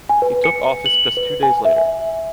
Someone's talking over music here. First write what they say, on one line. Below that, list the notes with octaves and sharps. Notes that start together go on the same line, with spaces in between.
He took office just two days later.
G#5
B4
C#7
F#7
B4
G#5
E5